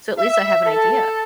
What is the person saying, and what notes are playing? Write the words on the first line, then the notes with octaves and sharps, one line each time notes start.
so at least I have an idea?
E5
A4